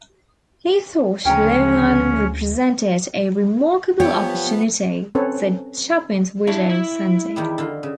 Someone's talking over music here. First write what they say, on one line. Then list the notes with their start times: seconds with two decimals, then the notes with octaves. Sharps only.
"He thought Long Island represented a remarkable opportunity", said Chapin's widow, Sandy.
1.25 D2 C#3 F3 G#3 C#4 G5 A#5
4.00 F3 B3 G4 C#5
5.15 C4 C#4 A4 B4 C#5
6.47 D4 E4 C#5
6.69 E4
7.36 E2 D#3 G3
7.58 D3 F4
7.83 C#3